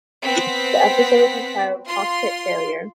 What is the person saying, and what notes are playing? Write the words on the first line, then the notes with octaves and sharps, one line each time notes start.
The episode is entitled "Cockpit Failure".
B3 C4 F#5 B6
F4 C6